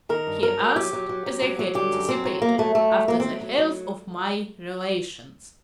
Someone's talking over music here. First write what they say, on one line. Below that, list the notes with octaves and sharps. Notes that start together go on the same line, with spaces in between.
He asked, as I had anticipated, after the health of my relations.
D#3 A#4
G2
F#3 A#4
F#3
F#3 G4
F#3
F#3
F#3
F#3
F#3
D3 G4
F#2
F#3 C4
F#3
F#3 A#3
F#3 A3
F#3 A3
F#3
F#3 A#3
F#3 C4
F#3
F#3